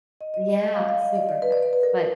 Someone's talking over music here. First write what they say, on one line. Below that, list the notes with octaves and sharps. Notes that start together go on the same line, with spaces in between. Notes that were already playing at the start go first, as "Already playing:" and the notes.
Yeah, super fast. But,
D#5
D#5
D#5
D#5
F5
F5
D#5
D5
D5
B4
D5
D5
B4
A#4